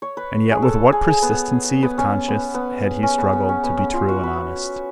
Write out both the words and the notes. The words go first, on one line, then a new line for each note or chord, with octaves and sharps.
And yet with what persistency of conscience had he struggled to be true and honest!
C#5
B4
G#4
A4
G#4
G#4
B3
B3
C#4
B3
B3
C#4
B3
B3
C#4
B3
C#4
F4
F#4
B4